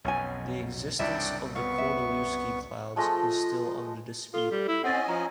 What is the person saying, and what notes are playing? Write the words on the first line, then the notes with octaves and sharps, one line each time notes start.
The existence of the Kordylewski clouds is still under dispute.
B1 F2 C#4 F#5 G#5
C2 F#2 C#3 D4 E4 D5 E5 G5
B3 F5 C#6
E5
F3 G#3 A3 D#5
F4 A4 G7
G3
E4
C4 C#4 D#5 F#5 G#5 A6
F3 A#5